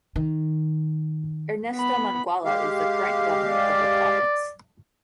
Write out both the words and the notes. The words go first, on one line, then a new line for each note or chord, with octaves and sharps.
Ernesto Muangala is the current governor of the province.
D#3
B3 B5
G#3 G4 F5
D5